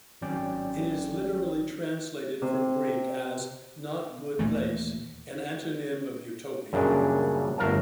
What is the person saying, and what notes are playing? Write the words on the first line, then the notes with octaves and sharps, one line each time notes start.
It is literally translated from Greek as "not-good place", an antonym of "utopia".
G#1 F#3 C#4 D5 G5
C3
D#2 A#2 E3 A3
F#2 A#2 C#3 G3 D4
G1 A3 A#4 F5 A5